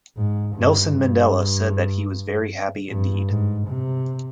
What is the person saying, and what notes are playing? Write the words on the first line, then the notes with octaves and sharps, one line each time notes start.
Nelson Mandela said that he was "very happy indeed".
G#2
G2
G2
G2
G#2
C3